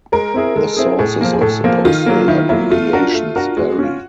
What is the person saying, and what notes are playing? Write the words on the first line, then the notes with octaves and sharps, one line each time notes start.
The sources of the postal abbreviations vary.
G#3 A#4
C4 E4 G#4
G#3 A4
C4 E4 G#4
A2 G#4
F3 A#3
G#4
A2 A4
F3 A#3
D#3 F4
F#3 A#3
D#3 E4
F#3 A#3 E4
A3 F4
D4 F#4 A#4
A3
D4 F#4 A#4
G#3 F#4
C#4 F4